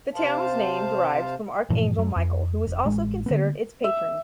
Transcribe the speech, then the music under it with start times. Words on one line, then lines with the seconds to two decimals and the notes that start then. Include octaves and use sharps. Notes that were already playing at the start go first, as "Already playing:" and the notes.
The town's name derives from Archangel Michael who is also considered its patron.
0.15 C3 C5 F5 A5
1.70 G2 A#2 E3 F3
1.97 F#2 F#3
2.16 F2
2.67 F1
2.85 A1 G#3
3.26 D3 A#3 B3
3.84 E5